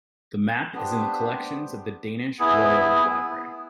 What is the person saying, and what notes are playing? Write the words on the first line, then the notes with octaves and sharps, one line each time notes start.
The map is in the collections of the Danish Royal Library.
B3 D4 G4 C5
B3 E4 G#4